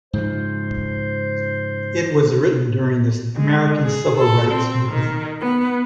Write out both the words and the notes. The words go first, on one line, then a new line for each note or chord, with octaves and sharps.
It was written during the American Civil Rights Movement.
G#2 C#3 F3 C5
G#3
G#4
A4
C4
D#3
B3